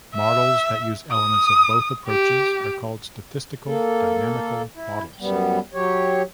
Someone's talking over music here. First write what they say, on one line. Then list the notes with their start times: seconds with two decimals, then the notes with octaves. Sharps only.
Models that use elements of both approaches are called statistical-dynamical models.
0.14 E5
1.12 D#6
2.07 G4
3.66 A#3 A4
4.75 E4
5.20 F#2 G3 B3
5.74 F#3 G4 C#5